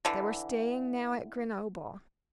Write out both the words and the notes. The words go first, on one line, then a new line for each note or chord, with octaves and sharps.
They were staying now at Grenoble.
D3 E3